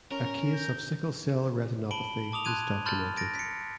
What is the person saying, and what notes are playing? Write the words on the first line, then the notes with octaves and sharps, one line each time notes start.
A case of sickle cell retinopathy is documented.
C#4 A#4
G6
A5 B5 D7 F#7 G7
A5 D6 D#6 F7
A5 C6 F#6 G#6 D#7 F7
A5 B5 C6 F6 G6 A6
A6 A#6 D7
B6 C#7